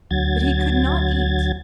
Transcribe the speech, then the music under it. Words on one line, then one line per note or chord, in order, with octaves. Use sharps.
But he could not eat.
D2 F#3 G#6 A6